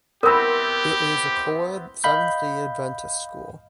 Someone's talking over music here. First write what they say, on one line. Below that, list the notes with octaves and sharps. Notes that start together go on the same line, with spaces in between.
It is a coed Seventh Day Adventist school.
B3 C4 E4 G4 A#4 B5 D#6 E6
D#5 F5 B5 G6